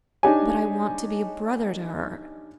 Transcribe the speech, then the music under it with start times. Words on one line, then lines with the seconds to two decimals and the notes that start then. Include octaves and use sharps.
But I want to be a brother to her.
0.23 D4 D#4 G4 C#5 G#5